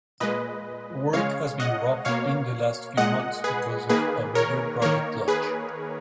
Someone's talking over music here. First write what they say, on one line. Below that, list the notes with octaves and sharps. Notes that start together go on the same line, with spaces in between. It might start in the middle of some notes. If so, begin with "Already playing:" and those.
Work has been rough in the last few months because of a major project launch.
A#2 G#3 B4 D#5
C#3 G#3 C#5 F5
D#5 F#5
B2 A#3 C#5 F5
A#2 G#3 D#5 F#5
G#4 B4
D#3 A#3 G#4 B4
A#4 C#5
D#3 A#3 A#4 C#5
G#4 B4